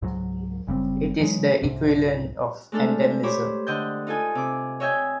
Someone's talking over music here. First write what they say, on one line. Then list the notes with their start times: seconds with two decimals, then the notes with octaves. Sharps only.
It is the equivalent of "endemism".
0.02 C#2 G#2 F#3
0.67 F#1 C#3 G3 C4
1.20 E3 F#3 G#3
1.63 C2 G#2 C3
2.72 G#3 A3 D4 A4 F6
3.23 G4 C5 C#5 B5 D6
3.67 D3 D#5 G5 G6
4.07 D#4 F4 A4 G#5 D#6
4.35 C3 D6
4.80 C#5 D#5 E5 G5 G#5